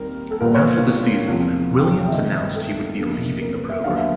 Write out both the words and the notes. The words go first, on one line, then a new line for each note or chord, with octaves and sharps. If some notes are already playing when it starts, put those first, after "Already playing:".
After the season Williams announced he would be leaving the program.
Already playing: D#2 D#3 G3 C4 A#4
A4
A#1 A#2 G3 B3 A#4
C#5
C5
E2 C3 F3
G5
G5
E5
G2 D#3 G#3 B3 D#5
E5
D#5
A4
E2 C#3 F3 A#3
A#4
B4
E5
D#2 D3 F#3 B3 F5
E5